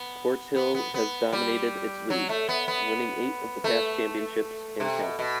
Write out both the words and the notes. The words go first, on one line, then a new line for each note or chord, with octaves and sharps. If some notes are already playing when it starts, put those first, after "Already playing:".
Quartz Hill has dominated its league, winning eight of the past championships, and counting.
Already playing: B3
B3
B3
B3
G3
F#3
A3
B3
B3
A3
C3
B2
B2